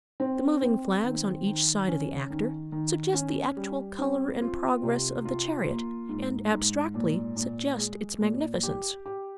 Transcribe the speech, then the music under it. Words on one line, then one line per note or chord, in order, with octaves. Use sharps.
The moving flags on each side of the actor suggest the actual color and progress of the chariot, and abstractly suggest its magnificence.
C4
C4
D#3
D#3
C#4
D#3
D#3
C#4
G3
C4
F4
C3
F4
A#3
G#2
G#2
A#2
A#2
G#3
A#2
G4
G4